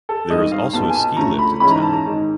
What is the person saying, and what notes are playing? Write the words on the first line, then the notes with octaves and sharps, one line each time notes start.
There is also a ski lift in town.
A4
G#1 G2 D#3 D#5
F5
B1 A#2 F#3 B3 A5
G#5
A5
D2 D3 F3 A3 C#4 A#5
B5
G#2 E3 G#3 C#4 E4 B5
A#5
A5
A#5
G#1 G#2 D#3 G#3